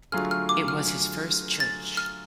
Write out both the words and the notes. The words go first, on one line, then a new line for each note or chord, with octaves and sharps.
It was his first church.
D3 F#3 A3 F4 G#4 F6
F6
D6
F6
A6
F6